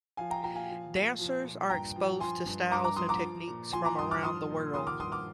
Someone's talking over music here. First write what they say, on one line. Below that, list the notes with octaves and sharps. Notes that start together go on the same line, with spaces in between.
Dancers are exposed to styles and techniques from around the world.
F3 F5 G#5
G5 A#5
A#2 G5 A#5
F5 G#5
F3
A#2
F3
A#2
G2 G5 A#5
F3
F3 G#5 C6
G2
G2 A#5 D6
A#5 D6
F3 C6 D#6
A#5 D6
F3
A#2
F3 G#5 C6
A#5 D6
G2 C6 D#6
D6 F6
F3 C6 D#6
A#2
D#3 C6 D#6
D6 F6
G2 C6 D#6
D6 F6